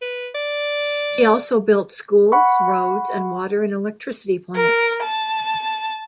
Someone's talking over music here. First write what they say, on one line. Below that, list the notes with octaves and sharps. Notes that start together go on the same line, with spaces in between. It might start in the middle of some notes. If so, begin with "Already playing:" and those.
He also built schools, roads, and water and electricity plants.
B4
D5
F#5 B5 C#6
A#4
A5